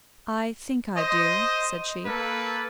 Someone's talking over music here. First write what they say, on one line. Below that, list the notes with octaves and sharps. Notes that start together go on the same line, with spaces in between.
"I think I do," said she.
C5 D#5
A#3 A4 B4